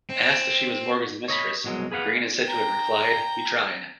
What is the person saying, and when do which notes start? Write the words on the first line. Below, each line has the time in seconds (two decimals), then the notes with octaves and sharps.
Asked if she was Morgan's mistress, Greene is said to have replied, We tried!
0.10 C4
1.28 C#5 D#5 A#5 B5
1.64 C2 B2 F#3 G#3
1.92 G#4 B4 F5 F#5
2.44 G5 A#5